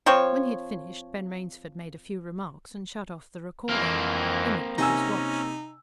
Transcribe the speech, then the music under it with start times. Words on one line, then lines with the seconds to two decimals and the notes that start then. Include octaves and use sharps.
When he had finished, Ben Rainsford made a few remarks and shut off the recorder, then looked at his watch.
0.06 F3 C4 C5 C#5
3.69 F2 E3 A#3 C4 F6
4.78 C3 C#4 D#4 G#5 E6